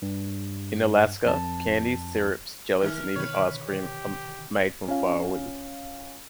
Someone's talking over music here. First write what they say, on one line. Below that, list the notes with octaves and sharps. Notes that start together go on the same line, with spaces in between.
In Alaska, candies, syrups, jellies, and even ice cream are made from fireweed.
G2
F2 A5
D#3 A#4 F6
B2 D3 D#3 B4 C#5
G4
C#4 F4 F5